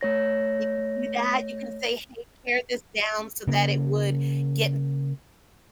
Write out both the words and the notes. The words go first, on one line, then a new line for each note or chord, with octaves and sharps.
You could do that, you can say, "Hey, pair this down so that it would get
A3 C#5 A#6
C#3 A#3